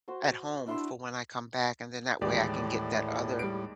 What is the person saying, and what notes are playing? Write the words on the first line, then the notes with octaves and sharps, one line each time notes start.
at home for when I come back, and then that way I can get that other
F#4 C5
D4 E4 C6 E6
D#2 A2 E3 G#3 G4 D5
G3 D7